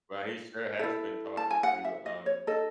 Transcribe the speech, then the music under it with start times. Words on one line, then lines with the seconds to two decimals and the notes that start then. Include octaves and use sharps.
Well, he sure has been talking to, um
0.79 E4 A4
1.37 A5
1.51 G#5
1.63 F#5
1.85 E5
2.06 D#5
2.26 C#5
2.47 D#4 A4 D#5